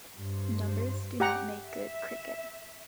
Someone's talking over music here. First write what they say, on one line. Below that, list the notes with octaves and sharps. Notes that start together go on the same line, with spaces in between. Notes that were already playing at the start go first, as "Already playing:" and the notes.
Numbers do not make good cricket.
G2 C5
G4 F#5 A#5
E5